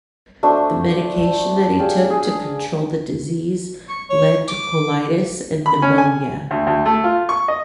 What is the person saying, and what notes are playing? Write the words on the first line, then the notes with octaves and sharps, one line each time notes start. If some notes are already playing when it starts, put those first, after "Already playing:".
The medication that he took to control the disease led to colitis and pneumonia.
A3 D4 F#4 C5
G4 G#4 D5 F5
G#4
C#6
C#5
D6
B5
C#4
G#5
D2
D2
A3
F4
C#6
D#5